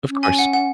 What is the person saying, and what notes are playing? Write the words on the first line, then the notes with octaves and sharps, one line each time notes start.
of course.
C#4
G#5
F#5
F#5